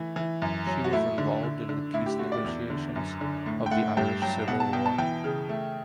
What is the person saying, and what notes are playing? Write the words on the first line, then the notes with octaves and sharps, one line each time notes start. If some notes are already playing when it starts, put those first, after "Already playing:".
She was involved in the peace negotiations of the Irish Civil War.
Already playing: E3 A3
E3
F#2
F#3
F#4
A3 E4
D3
D3
D3
A2 E4
G4
A3 F#4
D5
E2
D3
F#2
D3
A2
G5
A3 F#5
G2 G5
F#3 G5
B2 F#5
A5
B2 G5
A5
E3 G5
C#3
A3